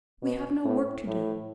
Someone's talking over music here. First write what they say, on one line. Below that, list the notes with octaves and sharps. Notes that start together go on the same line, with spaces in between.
We have no work to do.
B2
A2
A2